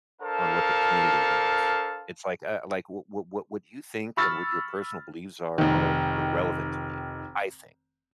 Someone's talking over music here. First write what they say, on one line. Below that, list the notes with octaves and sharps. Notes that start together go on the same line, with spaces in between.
on what the community wants. It's like, uh, like, what what what you think and what your personal beliefs are are irrelevant to me, I think.
D4 A4 A#4 C5 F5 A5
B5 C#6 E6 F6 A6
F1 D#3